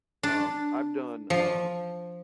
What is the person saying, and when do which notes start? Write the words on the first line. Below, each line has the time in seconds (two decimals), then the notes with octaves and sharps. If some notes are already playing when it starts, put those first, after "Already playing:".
Um, I've done, um
0.23 D4
1.30 F3